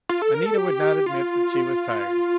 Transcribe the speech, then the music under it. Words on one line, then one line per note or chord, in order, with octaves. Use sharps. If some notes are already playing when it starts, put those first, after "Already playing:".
Anita would not admit that she was tired.
F4
A4
A#4
A4
G4
F4